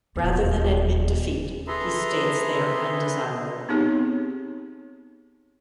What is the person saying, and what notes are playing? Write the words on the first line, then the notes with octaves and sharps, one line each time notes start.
Rather than admit defeat, he states they are undesirable.
D#1 E2
G#4 A4 B4 E5 A#5 C6
B3 C4 D#4 G4 G#4 C#5